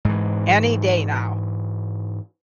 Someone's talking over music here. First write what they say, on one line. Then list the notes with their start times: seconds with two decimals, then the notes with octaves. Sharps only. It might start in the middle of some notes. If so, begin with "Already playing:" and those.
any day now.
0.05 G#2 E3